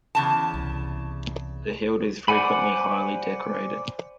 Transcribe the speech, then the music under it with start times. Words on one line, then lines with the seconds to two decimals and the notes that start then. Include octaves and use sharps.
The hilt is frequently highly decorated.
0.15 E2 C#3 A5
0.54 C2
2.28 C5 D5 F#5 G#5 B5